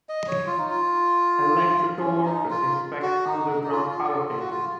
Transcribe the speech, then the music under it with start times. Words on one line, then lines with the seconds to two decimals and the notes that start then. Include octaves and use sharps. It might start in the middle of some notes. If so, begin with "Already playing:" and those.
Electrical workers inspect underground power cables.
0.09 D#5
0.28 C#5
0.47 F4
0.58 D#4
0.70 F4
1.99 C#4
2.25 D#4
2.50 F4
3.02 F#4
3.27 D#4
3.52 D#4
3.63 D#4
3.72 F4
3.90 F4
4.09 A4
4.28 F4
4.39 F#4
4.50 F4